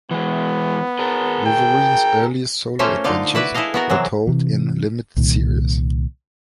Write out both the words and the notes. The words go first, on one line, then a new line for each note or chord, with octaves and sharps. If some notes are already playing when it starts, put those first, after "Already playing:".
Wolverine's earliest solo adventures were told in limited series.
E3 G#3 B3
G#4 A#4
G5
A3 A#3 C#4 F4 C5 E5
D3 D#4 F4 D5
E4 F#4 B4 D5 E5
E4 G#4 A4 D#5 F5
B3 F#4 A#4
C3 E3 F#3 G#4
C3 E3
C2 A#2 D#3